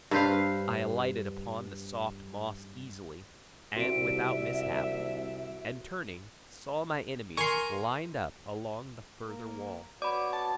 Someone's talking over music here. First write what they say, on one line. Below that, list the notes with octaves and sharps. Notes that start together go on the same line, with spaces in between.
I alighted upon the soft moss easily and without mishap, and turning saw my enemies lined up along the further wall.
G2 B4 C5 F5
C2 F#4 E5 D7
A#4 G#5 C6 C#6
A#3 A#4
B3 F#4 C#5 D5 B5 D6
A5